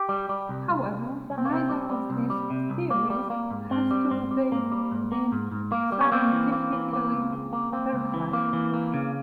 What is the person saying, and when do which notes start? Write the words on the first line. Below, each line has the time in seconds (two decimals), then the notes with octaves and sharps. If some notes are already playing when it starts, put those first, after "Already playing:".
However, neither of these theories has to date been scientifically verified.
Already playing: G4
0.09 G3
0.29 G3
0.49 C2
0.69 C2
0.89 C2
1.09 C2
1.29 C2 C#4
1.38 C4
1.45 A#3
1.50 C3 C4
1.69 G3
1.90 G3
2.10 C2
2.30 G3
2.50 C3
2.70 C2
2.90 A#3
3.10 G3
3.30 A#3
3.51 G#2
3.70 G#2 C4
3.91 G3
4.11 G#2 C4
4.31 G3
4.51 G#2 A#3
4.71 G3
4.91 G#2
5.12 A#3
5.32 G#2
5.52 G#2
5.72 A#3
5.92 G3
6.01 C#4
6.12 A#3 C4
6.32 E3
6.52 A#3
6.73 E3
6.93 A#3
7.13 C#2
7.33 C#3
7.53 A#3
7.72 A#3 C4
7.93 C#2
8.14 E3
8.33 A#3
8.53 E3
8.74 A#3
8.94 C#3